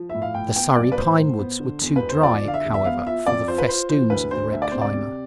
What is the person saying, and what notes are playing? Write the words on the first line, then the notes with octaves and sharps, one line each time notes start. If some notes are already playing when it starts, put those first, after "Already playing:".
The Surrey pine woods were too dry, however, for the festoons of the red climber.
Already playing: F3
A2 E5
F5
A2 G5
B3 G5
B1 D5
B4
A2 C5
A2
B3
D3
E2
B4
E1
C5
F3 D5
D3 F5
E5
E1
E5
B3 F5
F4 E5
F2 D5
F4 C5
B4
F4 C5
E3 C5
D2 B4
D2 C5
D2 E5
D5
C3 C5
D5
C3